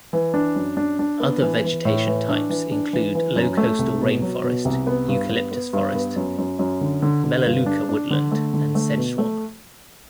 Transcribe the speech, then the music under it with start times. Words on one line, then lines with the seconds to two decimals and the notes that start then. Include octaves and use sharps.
Other vegetation types include low coastal rainforest, eucalyptus forest, melaleuca woodland and sedge swamp.
0.13 E3
0.34 D4
0.56 F#2
0.77 D4
0.99 D4
1.20 B3
1.42 E3
1.64 E3
1.85 A2
2.07 E3
2.28 D4
2.50 E3
2.72 D4
2.93 E3
3.15 E3
3.36 F#2
3.57 A3
3.79 C2
4.01 B2
4.22 F#3
4.44 B2
4.65 C2
4.87 B3
5.08 G2
5.30 B3
5.52 B3
5.73 G2
5.95 B3
6.16 F#2
6.38 F#2
6.59 F#2
6.81 D3
7.02 D3
7.24 D3
7.46 G2
7.66 D4
7.89 D4
8.10 D3
8.31 A3
8.54 D3
8.75 A3
8.97 B2
9.18 A3